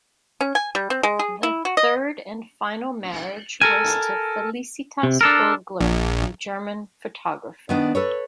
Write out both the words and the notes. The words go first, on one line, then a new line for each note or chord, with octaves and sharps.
The third and final marriage was to Felicitas Vogler, a German photographer.
C#4
G#5
G3
C4
G#3
G#4
E4
F#4
D#5
A4 A#4 G#5
C3
D4 A4 A#4
A#1
D#3 B3 D4
A4 B4 C#5